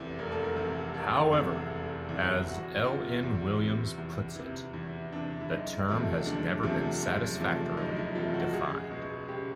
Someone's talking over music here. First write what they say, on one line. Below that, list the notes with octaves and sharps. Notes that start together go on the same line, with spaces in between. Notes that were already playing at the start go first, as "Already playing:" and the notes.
However, as L. N. Williams puts it, "the term has never been satisfactorily defined".
Already playing: F1 E2 C3 E3
F1 A#4
A4
A#4
E2 C3 E3
F1 A4
E2 C3 E3 G#4
F1
E2 C3 E3
E2 F#4
C3 E3 F4
E2
C3 E3
E2
C3 E3
E2 E4
C3 E3 D4
E4
F#1 D#4
E2 C3 F3 A3
F#1 D4
E2 C3 F3 A3
F#1
E2 C3 F3 A3
F#1 D#4
E4
E2 C3 F3 A3 F4
F#4
C#2 G#4
B2 G#3
C#2 G4